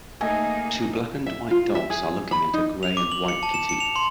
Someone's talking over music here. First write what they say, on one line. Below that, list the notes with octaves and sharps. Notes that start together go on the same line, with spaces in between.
Two black and white dogs are looking at a gray and white kitty.
A3 A#3 D#4 G#4 D#5 G#5
E5
F4
E5
G#4
B5
D#4
F7
D6
F#7
C#7
A5
E7
C#7
F7
C6